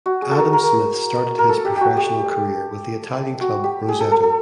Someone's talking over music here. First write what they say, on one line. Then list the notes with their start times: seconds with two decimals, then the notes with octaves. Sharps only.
Adam Smith started his professional career with the Italian club Roseto.
0.06 F#4
0.22 G#4
0.31 A4
0.38 A#4
0.53 A#4
1.39 A#4
1.49 A4
1.65 G4
1.76 F#4 G4
1.97 G4
3.41 F#4
3.64 G4
3.88 G#4
4.00 A4
4.11 A4
4.23 A4